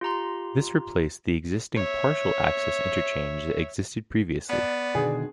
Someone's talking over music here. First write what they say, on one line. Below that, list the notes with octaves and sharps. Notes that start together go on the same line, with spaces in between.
This replaced the existing partial access interchange that existed previously.
F4 G4 A#5 C6
C#5 E5
B3 D5
B2 D3 D#3 G#4